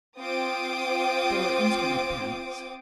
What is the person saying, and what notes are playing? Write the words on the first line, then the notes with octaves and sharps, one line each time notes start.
There were instrument panels.
C4 F4 C5 G5 D6 D#6